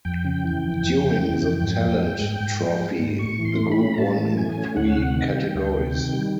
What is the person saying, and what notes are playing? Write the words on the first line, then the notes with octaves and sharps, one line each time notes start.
During the Talent Trophy, the group won in three categories.
F2 G5
C#3
E3
F2
F2
C#3
E3
F2
G#2
F3
G#3
G#2
G#2
F3
G#3
G#2
A2 C#6
E3
C6
A3
B5
C#4
A#5
A2 A5
E3
A3 G#5
C#4
D2 F#5
C3
F#5
D#3
G5
G3
D2
C3
D#3
G3